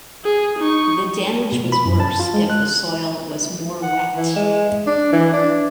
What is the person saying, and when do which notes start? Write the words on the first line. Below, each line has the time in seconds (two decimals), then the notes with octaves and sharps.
The damage was worse if the soil was more wet.
0.24 G#4
0.59 D#4 C#6
1.52 B2
1.72 B5
1.85 F#2
2.00 A5
2.19 F4
2.34 G#3
2.50 F#6
3.83 F#5
4.17 E3
4.36 G#3
4.87 D4
5.12 E3
5.33 D4